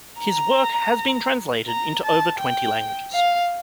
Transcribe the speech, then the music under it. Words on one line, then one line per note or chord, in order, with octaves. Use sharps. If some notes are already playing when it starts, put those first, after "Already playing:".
His work has been translated into over twenty languages.
A#5
A#5
A5
G5
F5